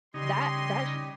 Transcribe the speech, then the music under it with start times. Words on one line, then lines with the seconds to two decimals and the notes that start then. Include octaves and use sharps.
that that sh
0.14 C#3 G3 D#4 G4 D#5 C6